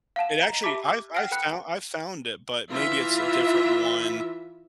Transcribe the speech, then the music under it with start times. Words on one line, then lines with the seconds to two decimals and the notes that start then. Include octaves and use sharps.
It actually I've I've found I've found it, but maybe it's a different one.
0.16 F5 F#5 A5 E7
0.39 D#5 A#5
0.63 G4 E5 A5 B5 D6 B6
0.85 D6
1.15 F#5 G5 F6 A#6 C7 D7
1.31 A4 B4 G5 B5 F#6 C#7
2.71 E3 F4 E5